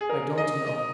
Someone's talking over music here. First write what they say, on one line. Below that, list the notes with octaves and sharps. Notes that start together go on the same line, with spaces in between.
'I don't know.
G#4
A#4
D#5
D#5